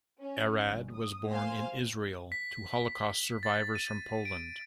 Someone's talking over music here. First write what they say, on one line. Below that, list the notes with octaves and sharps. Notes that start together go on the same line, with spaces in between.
Arad was born in Israel, to Holocaust survivors from Poland.
C#4
G1
D#6
A#3 C5 F5 G#5
B6
A6
D#7
D7